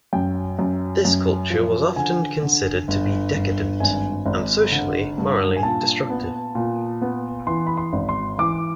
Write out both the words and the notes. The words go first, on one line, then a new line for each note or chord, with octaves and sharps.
This culture was often considered to be decadent, and socially, morally, destructive.
F#2 G5
F#2
F#2
F3
D3 G#5
D3
G1
G1
G#1 G#5
G#1
D3
G2
G#5
A#2 A5
B3
A#2
B3
E3 C6
B5
C6
G#1
C6
E3 D6